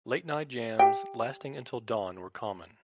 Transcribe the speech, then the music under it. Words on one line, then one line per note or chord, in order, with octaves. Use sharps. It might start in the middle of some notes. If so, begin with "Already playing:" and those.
Late-night jams lasting until dawn were common.
G4 G5